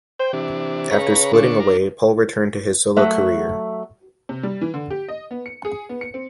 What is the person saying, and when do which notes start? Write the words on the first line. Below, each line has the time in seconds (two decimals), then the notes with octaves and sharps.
After splitting away, Paul returned to his solo career.
0.20 C5 G5
0.33 C3 E3 D4
0.91 C#3 B4 C#5 A#5
1.33 D3 D4 C#6
1.60 D4 A#4
2.96 F#3 A3 E5 F#5
4.29 C3
4.43 G3
4.61 E3
4.74 D3
4.90 G4
5.08 D#5
5.31 B3
5.46 C#7
5.65 G#4
5.89 B3
6.01 C#7
6.14 C4